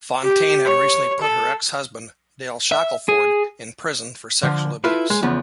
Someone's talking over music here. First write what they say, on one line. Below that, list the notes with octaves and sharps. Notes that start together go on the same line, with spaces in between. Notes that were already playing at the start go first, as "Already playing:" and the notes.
Fontaine had recently put her ex-husband Dale Shackleford in prison for sexual abuse.
G4
C#5
A4
E5
G#4
D3 F3
E4 F4 A4 B4
G#3 C#5
E2 C#3 F3 B3